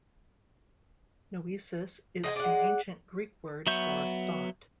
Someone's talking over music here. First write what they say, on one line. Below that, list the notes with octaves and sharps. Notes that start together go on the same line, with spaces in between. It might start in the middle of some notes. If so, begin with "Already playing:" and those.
"Noesis" is an Ancient Greek word for "thought".
G#3 D#5 F#5 G#5
D5 F#5
F#3 B3 E5 C#6 G6